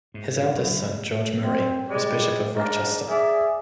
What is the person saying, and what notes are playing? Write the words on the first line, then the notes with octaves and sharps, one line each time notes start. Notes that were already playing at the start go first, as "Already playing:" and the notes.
His eldest son George Murray was Bishop of Rochester.
G#2
F#1
C4
G3 G#3 D5
G#2 D4 A#4
G#4 D5 E5